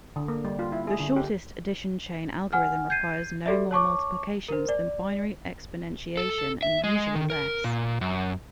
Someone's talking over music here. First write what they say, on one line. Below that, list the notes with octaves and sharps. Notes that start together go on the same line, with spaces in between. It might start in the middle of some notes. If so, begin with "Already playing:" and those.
The shortest addition-chain algorithm requires no more multiplications than binary exponentiation and usually less.
D3
A#3
G3
F4
E4
G#4
D3
G4
F#5 G#5 F6
G6 G#6 C7 D#7
F#4 G4 A4 D5 E5
C#5 A5 C#6 D6
A#4 C5
D5
A4
E5
G#3
D#3
A#4
A#2
F#2